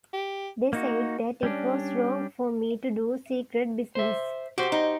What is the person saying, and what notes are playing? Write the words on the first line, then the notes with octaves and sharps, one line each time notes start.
They said that it was wrong for me to do secret business.
G4
A#3 D#4 F#4
G3 C#4 D4
C5 E5
F#4 G4 C5
D#4